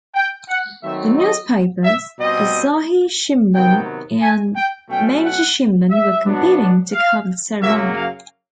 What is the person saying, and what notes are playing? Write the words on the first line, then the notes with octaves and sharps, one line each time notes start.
The Newspapers Asahi Shimbun and Mainichi Shimbun were competing to cover the ceremony.
G5
F#5
D#3 F#3 A3 C4 E5
D#5
E5
B2 G3 C4 D#5
C3 D#3 F#3 B3 G5
G#5
G5
B2 F#3 A3 C#4 G5
F#5
E5
B2 F#3 B3 D4
F5
F#2 C#3 F#3 A#3 E5
F5